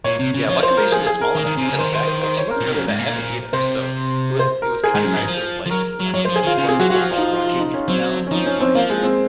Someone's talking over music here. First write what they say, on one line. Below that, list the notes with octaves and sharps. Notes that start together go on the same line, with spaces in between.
Yeah, luckily, she was small enough to fit in a backpack. She wasn't really that heavy either, so it was it was kinda nice, it was like, um, what people call rucking now, which is, like,
A#2 C#5
C3
C#3
F3 C#5
C5
A#4
G#4
G#4
A#4
D#3
D#3
C3
C#3
D#3 C5
C5
C5
C5
C#5
A#4
A#2
C3
F#2
G#2
A#2
C3 C5
C5
A#4
G#4
G#2
F#2
G#2
F3
F3
F#3 A#4
F#3
F#3 C#5
C5
F3
G#4
D#3 F4
C#3 F4
C3 G#4
F#3 F#4
F#3 F#4
F3 F#4
F4
D#4
F4
F4
F4
D#4
C#4
F#3 C4
C#4
F3 D#4
C#4
C4
F3 A#3
G#3
C4